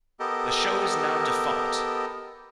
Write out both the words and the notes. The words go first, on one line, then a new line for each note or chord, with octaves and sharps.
The show is now defunct.
B3 G4 A4 A#4 D#5